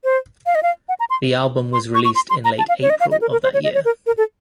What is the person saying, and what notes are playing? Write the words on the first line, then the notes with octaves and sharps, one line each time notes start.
The album was released in late April of that year.
C5
F5
D#5
F5
F#5
A#5
C6
C6
C#6
C#6
C6
C6
A#5
A5
F5
C#5
D#5
F5
D#5
A#4
A#4
C5
C#5
D#5
C#5
A#4
A#4
A4